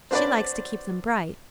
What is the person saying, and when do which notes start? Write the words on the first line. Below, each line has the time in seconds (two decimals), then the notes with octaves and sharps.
She likes to keep them bright.
0.11 C4 D4 F#4 B4 C#5 D5